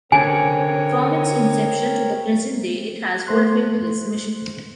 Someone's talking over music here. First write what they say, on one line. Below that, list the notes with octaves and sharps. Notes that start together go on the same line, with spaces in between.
From its inception to the present day it has fulfilled this mission.
D3 C4 C#4 A#4 C#5 G#5
A3 C5 C6 F#6